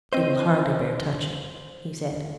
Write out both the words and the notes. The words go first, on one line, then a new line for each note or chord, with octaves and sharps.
"It will hardly bear touching," he said.
C4 C5 D#5 D#7